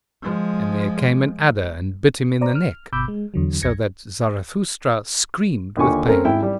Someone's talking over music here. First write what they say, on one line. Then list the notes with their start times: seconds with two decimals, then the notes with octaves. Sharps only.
And there came an adder and bit him in the neck, so that Zarathustra screamed with pain.
0.22 F3 G#3
2.41 C5 D5 A#5
2.55 F6
2.93 G1 B2 B5 D6 E6 G6
3.08 G#3
3.34 E2 D3 F#3
3.62 B1 F2 G#6 A#6 C#7
5.77 D#2 D3 F4 G#5 C#6
6.05 A3 C4 C#4 A#4
6.25 G#1 E4 G5
6.42 G3